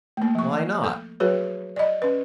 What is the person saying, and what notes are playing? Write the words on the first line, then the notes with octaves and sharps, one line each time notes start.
"Why not?"
A3 A#3
F3 C#6
A4
F#3 F#4 G#4 B4 C#5
D5 D#5
C#4 B4